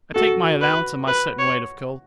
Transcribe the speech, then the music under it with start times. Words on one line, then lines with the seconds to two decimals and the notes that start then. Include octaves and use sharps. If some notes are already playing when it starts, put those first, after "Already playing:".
I take my allowance and my certain weight of coals.
0.15 F#4 A4
0.61 B4
1.08 B4
1.39 C#5